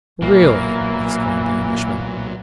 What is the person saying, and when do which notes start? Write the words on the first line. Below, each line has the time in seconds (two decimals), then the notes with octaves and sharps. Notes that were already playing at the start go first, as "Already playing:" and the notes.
"Really!" exclaimed the Englishman.
0.22 B1 A#2 E3 F#3 A#3